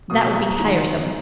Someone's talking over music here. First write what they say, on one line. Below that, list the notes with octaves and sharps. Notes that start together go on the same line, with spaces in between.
That would be tiresome.
B2 F#3 A#3 D#6
A#5
G#2 D#3 F#3 A#5